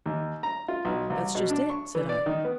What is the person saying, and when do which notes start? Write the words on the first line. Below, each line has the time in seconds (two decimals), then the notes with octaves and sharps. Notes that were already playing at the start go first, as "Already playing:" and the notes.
"That's just it," said I.
0.06 D#2
0.43 A#5
0.68 F4
0.85 B1
1.10 C2
1.35 B2
1.50 D4
1.70 C#6
1.95 E3
2.09 D5
2.26 D#3
2.45 B3